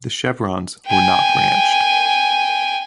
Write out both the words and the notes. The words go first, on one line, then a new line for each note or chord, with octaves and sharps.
The chevrons were not branched.
G5 G#5